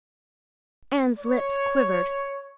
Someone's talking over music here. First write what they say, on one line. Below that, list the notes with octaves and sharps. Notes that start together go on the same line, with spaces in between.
Anne's lips quivered.
C#5